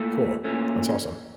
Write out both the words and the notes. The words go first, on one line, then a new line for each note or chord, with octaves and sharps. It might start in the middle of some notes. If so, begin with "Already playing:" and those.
Cool. That's awesome.
Already playing: A#2 A3
A#2 A3 C#4